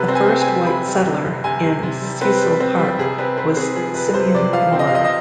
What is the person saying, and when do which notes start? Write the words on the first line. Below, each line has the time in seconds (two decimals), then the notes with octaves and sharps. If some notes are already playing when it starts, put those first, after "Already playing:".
The first white settler in Cecil Park was Simeon Lord.
Already playing: C3 B4
0.08 C4
0.15 G#5
0.29 C4
0.41 G#5
0.47 G3
0.66 C3 B5
0.86 G3
1.05 C3
1.25 C3
1.44 C3 G#5
1.64 C3
1.83 C3
2.02 G3
2.21 C4 B4
2.41 G3
2.60 C4
2.79 G3
2.99 C3 G#4
3.18 C4 B4
3.37 C4 B4
3.56 C4 G#4
3.76 F3 G#4
3.95 C3 B4
4.14 C3 C5
4.34 C3 D5
4.53 F3 F5
4.72 C4
4.79 D#5
4.87 F5
4.92 C3 D#5
5.04 D#5